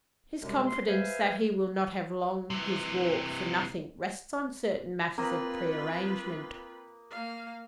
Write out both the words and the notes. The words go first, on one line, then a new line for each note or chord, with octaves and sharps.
His confidence that he will not have long his walk for nothing rests on certain matters of pre-arrangement.
F#2 C3 G3 G#3
C6
B4 C5 E5 F5 G#5
C3 E3
A#3 C4 F4 B4 D#5 A#5
A#3 F5